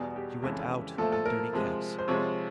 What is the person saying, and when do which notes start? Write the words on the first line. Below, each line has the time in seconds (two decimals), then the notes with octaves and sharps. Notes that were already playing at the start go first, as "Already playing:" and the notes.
She went out, with dirty caps.
Already playing: E2 B2 G3 G#4
0.16 G4
0.42 F2 C#3 E3 G#3
0.98 A#2 F3 A3 A4
1.12 A4
1.26 A#4
1.53 C3 F3 G#3
1.98 C5
2.08 C3 F3 G#3 C#5